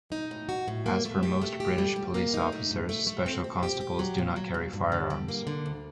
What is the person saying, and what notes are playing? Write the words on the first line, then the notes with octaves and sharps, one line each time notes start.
As for most British police officers, Special Constables do not carry firearms.
D#4
A2
F#4
A2
A#3
A3
G4
A3
G4
G3
G3
A#3
D#4
A3
G2
A3
A3
C4
C4
G4
G4
F#3
A#2
F#3
A#2
G2
D3
G3
A#3
D3
D2